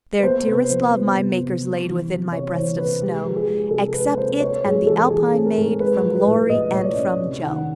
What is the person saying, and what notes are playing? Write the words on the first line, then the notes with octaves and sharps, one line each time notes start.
Their dearest love my makers laid Within my breast of snow. Accept it, and the Alpine maid, From Laurie and from Jo.
B4
B3 C5
C3 B4
F3 C5
B3
C3
C3
G3
E3
C3
C3 C#5
E3 C5
C3 B4
G#3 G4
F3 G4
G#4
G#3
C3 A4
G#3 B4
C3 C5
C4 C#5
G#2 G#4
E3 A4
E3 G#4
C4
A#4
G#2
G#3 B4
F3
B4
A2
A2 D#5
A2 C#5
D5
C#4
C3
D#3 F#5